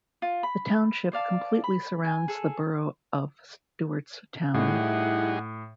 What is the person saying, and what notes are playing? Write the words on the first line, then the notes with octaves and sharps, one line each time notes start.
The township completely surrounds the borough of Stewartstown.
F4
B5
C5 D5 F5 A5
B5
G#5
G#4 A4
A2 G3 D#4 E4 G#4 F#5